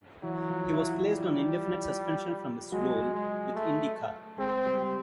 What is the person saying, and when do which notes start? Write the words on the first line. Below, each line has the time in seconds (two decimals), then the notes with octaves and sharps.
He was placed on indefinite suspension from his role with IndyCar.
0.23 E3 F#3 E4
0.50 F3 F4
0.73 E4
0.78 F3 F4
1.06 G3
2.72 F#3 G#3 F#4
3.14 G#3
3.55 A3
4.38 G#3 C4 G#4
4.66 G3 G4